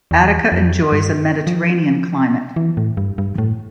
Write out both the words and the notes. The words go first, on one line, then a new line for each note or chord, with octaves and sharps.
Attica enjoys a Mediterranean climate.
E2
F2
G2
F3
E3
A2
G2
G2
A2